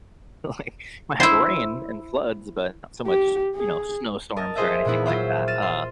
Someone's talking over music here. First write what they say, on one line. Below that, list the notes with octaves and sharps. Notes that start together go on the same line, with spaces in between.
like, might have rain and floods, but not so much, you know, snowstorms or anything like that. Uh,
E4 C5
G4
G#4
A#4 D#5 A5
F4 G#4 C5 D#5 E5
A#2 F3 B3 D#4 E4
F#3 F4 C5 E5
F6 A6 D#7 E7
C6